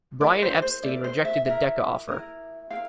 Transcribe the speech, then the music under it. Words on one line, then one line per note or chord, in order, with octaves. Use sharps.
Brian Epstein rejected the Decca offer.
E4 A#4 D5
C5
C5
E4 A#4 D5
C5
E5
E4 A#4 E5
E4 A#4
E4 A#4 F5